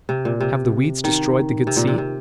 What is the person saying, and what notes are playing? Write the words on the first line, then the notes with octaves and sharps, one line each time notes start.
"Have the weeds destroyed the good seed?"
C3
A#2
C3
D#3
C3
A#2
C3
C3